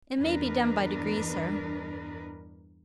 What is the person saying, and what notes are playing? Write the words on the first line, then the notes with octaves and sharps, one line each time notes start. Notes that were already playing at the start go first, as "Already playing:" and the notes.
'It may be done by degrees, Sir.
E2 G2 D4 A#4 B4 D#5